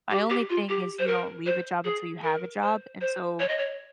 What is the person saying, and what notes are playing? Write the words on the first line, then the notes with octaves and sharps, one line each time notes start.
My only thing is you don't leave a job until you have a job, and so
G4
G4
F4
G4
C5
A#4
C5
G#4
A#4
C5
C5
C#5
D#5
C#5